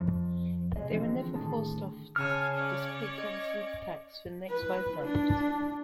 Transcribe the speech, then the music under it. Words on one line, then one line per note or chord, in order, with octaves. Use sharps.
They were never forced off despite constant attacks for the next five months.
F2
C3 F3 G#3 G#4 D#5
D3 E3 F3 G#3 C4
A2 D3 D#3 G#4 A5
C#3 C#5 F5 G#5 A5 F6
C#4 C#5 D5
D#5
B4
D4